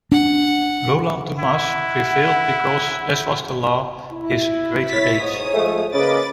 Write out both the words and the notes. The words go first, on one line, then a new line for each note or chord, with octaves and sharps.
Roland Dumas prevailed because, as was the law - his greater age.
D4 F#5
E4 F#5
E4
C#5 A6 B6
G#2 C#5 D#6
F3 G#3 A3
C#3 A#3 B4 D#5 D6 A6